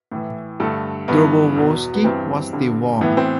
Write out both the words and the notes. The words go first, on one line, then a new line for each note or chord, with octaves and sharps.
Dobrovolsky was still warm.
A2 E3
G2 D3 A3 A4
G2 E3 B3
E2 B2
B3
G2 E3 C4
G2 D3
A2 E3 B3
C4